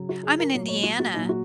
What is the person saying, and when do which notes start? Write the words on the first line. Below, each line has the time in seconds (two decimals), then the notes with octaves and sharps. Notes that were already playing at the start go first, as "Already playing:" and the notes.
I'm in Indiana.
Already playing: C#3 F#3
0.09 F#4
0.23 G#4
0.39 A#4
0.53 A#2 F#3 C#5
0.68 C#5
0.83 F#4
0.99 F#4
1.14 A#2 F#3 D#4
1.29 F#4